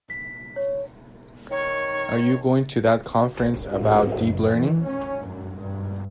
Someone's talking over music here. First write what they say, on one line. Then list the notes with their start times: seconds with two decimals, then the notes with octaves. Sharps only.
Are you going to that conference about Deep Learning?
0.10 B6
0.56 C#5
1.51 D#3 C#5
3.75 A2
4.12 F#1
4.53 E3
4.86 C#4
5.27 F#2
5.57 G2